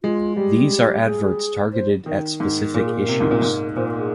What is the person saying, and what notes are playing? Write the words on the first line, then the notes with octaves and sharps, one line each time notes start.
These are adverts targeted at specific issues.
G#3 F4
G3 G4
G#4
C5
D#3
G#2
A#2 A#4
G#4
A#4
C3
G#2
A#2
G#2
A#2 C5
A#4
G#4